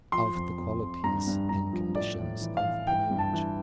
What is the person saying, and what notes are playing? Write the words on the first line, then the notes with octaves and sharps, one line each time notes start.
Of the qualities and conditions of Panurge.
F3 C6
F2
F2
F2
G2 A#5
G2
G2 A#5
F3
A2 D5
A2
E3
F5
E3
E3 G5
G2
A5
E3